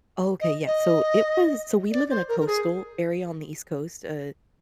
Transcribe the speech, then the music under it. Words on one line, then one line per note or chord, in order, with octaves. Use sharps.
Okay, yeah. So, it was So, we live in a coastal area on the East Coast, eh,
D#5
D#5
D5
C5
A#4
A#4
G#4